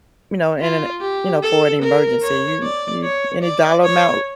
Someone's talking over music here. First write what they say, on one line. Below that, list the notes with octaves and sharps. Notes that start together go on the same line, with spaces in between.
you know, in an you know, for an emergency, you you any dollar amount?
F4
G4
A4
A#4
C#5
D5
C#5
D5
C#5